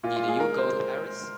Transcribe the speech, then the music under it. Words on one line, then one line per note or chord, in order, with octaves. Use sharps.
Did you go to Paris?
A#2 F4
F4
G#3
G#4
G#3 A#4
G#3 C5